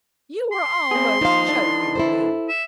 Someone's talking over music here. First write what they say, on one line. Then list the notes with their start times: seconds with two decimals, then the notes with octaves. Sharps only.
You are almost choking me!
0.52 C6
0.91 C4 G#4
1.21 D#2 F3 D#4 C5 F5
1.48 E3 D4
1.95 E4 A4 C5
2.49 E5